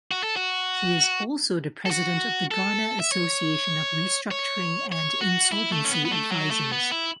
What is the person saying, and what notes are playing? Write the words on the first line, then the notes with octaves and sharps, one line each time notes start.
He is also the President of the Ghana Association of Restructuring and Insolvency Advisors.
F#4
A4
F#4
A4
F#4
A4
E5
C#5
C#5
C#5
F#4
E4
A3
C#4
B3
B3
A3
F#3
A3
B3
E4